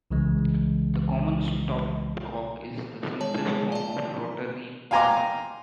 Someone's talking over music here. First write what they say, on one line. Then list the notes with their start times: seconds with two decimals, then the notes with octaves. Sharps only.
The common stopcock is the simplest form of rotary valve.
0.11 C2 C#3 E3 G#3
3.21 G#3 C#5 A5
3.72 D5 A5
4.91 F5 G5 G#5 A#5 C6 D6